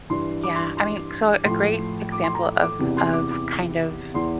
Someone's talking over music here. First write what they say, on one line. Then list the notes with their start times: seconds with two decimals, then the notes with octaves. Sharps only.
Yeah. I mean, c so a great example of of kind of
0.10 G2 E3 C6
0.43 D6
0.55 C6
0.77 C6
1.45 A2 F3 C6
2.12 D6
2.24 C6
2.35 A#5
2.63 D6
2.79 E2 C3 E3
2.97 C6
3.13 D6
3.31 D6
4.14 E2 E3 C6